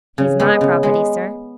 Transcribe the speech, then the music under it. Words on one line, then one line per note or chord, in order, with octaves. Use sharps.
"He's my property, sir."
C#3
G#3 B3
C#3
G#3 B3